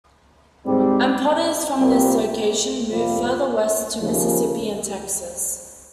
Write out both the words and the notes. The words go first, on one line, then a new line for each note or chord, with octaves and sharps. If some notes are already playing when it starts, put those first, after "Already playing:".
And potters from this location moved further West to Mississippi and Texas.
G#2 G3 C4
C2 A#2 G3 C4
F2 C3 G3 C4 F4
D#2 C#3 F3